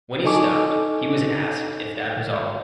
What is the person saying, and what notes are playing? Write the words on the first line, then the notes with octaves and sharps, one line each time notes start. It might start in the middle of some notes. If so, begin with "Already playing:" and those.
When he stopped, he was asked if that was all.
D#4 A4 D#5 G#5 C#6 D6